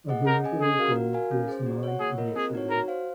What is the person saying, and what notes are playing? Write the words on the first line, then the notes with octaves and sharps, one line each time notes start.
Alluvial gold was mined initially.
G#4 D#5 F#5
C#4 A#4
G#4 D#5 G#5
C#4 G#4
F#4 A#4 F5
F#4
A#4 F5 G#5
C#4
G#4 C5
F#4
C#5 F#5
A#3 G#4
F4 A#4 D#5
C4 G#4
D#4 F#4 C#5
F#4 A#4
C5 F5